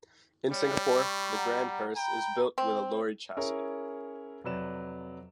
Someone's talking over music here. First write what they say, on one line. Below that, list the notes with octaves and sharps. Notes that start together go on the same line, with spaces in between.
In Singapore, the grand hearse is built with a lorry chassis.
G3 C#5
B5 C#6
F#5 A#5
G5 A#5 B5
C4
C#4 E4 G#4 A#4 C#5
F2 C3 F#3 B4 D5 E7